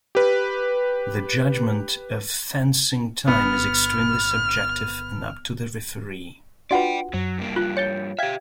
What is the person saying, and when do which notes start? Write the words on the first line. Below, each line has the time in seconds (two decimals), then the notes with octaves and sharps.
The judgement of "fencing time" is extremely subjective and up to the referee.
0.15 G4 B4
3.27 G1 B3 F6
6.71 D4 F4 F#4 B4 D5 F#5 G5
7.14 F#2 F#3
7.38 G2 A#3
7.56 F4 F#6
7.77 C#5 G6 A6 C#7
8.19 G4 E5 F5 G5 G#6